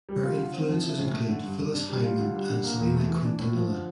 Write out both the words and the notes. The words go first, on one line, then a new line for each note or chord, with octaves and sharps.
Her influences include Phyllis Hyman and Selena Quintanilla.
G3
F4
D3
C4
F3
E4
A2
A3
D3
G2
G2
D4
G3
F4
D3
G3
D3
A#3
E2
A3
E3
D4
A2
F3
D3